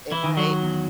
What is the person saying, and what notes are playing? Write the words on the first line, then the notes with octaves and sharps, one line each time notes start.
if I
E3 E4
D#3
F#3 F#4
E2